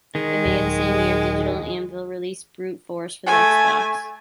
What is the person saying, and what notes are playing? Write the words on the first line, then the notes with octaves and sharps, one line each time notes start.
In May of the same year, Digital Anvil released "Brute Force" for the Xbox.
D#3 G#3
D#1 F#3
A3 G#5